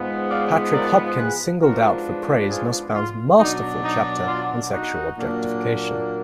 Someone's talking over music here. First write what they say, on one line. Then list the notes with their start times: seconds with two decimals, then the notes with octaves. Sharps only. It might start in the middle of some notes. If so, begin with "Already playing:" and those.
Patrick Hopkins singled out for praise Nussbaum's "masterful" chapter on sexual objectification.
Already playing: G#2 F3 G#3 B3
0.29 D5 F5
0.74 A#4 D5
1.18 G#4 B4
1.62 G#2 F3 B3 D4 F#4 A#4
2.50 F4 G#4
2.95 F4
3.39 B2 F#3 D4 D#4
3.83 D#4
4.27 F4
4.72 D#4 F#4
5.16 A#2 F#3 A#3 D4